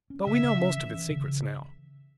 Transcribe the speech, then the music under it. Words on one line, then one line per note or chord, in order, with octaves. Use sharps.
But we know most of its secrets now.
C#4
C#3 E5
C#3
C#4
E3
E3
C#3